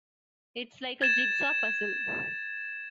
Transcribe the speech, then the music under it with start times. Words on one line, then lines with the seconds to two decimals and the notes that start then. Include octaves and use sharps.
It's like a jigsaw puzzle.
1.02 G#6 A6 E7